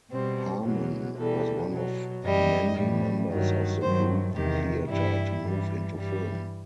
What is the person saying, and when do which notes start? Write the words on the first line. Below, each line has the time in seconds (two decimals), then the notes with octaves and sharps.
Harmon was one of many members of the Group Theatre to move into film.
0.11 B2 G3 C4
0.64 E2 B2 F#3
1.17 E2 B2 G3 A4
1.70 B2 F#3
2.23 F#2 E3 G3 D#5
2.77 A2 E3 G3
3.29 G2 D#3 F#3
3.81 G2 D#3 F#3 C5
4.35 E2 C3 D#3 G4
4.88 G2 E3 G3 E4
5.41 G2 E3 G3
5.94 G2 E3 G3